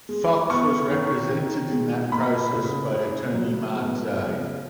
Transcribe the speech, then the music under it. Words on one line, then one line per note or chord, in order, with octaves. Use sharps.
Fox was represented in that process by attorney Mark Zaid.
G#3
B3 C#6
D#3
D#3
G#3
A#3 B5
C#3
C#3
F#3
B3
C#3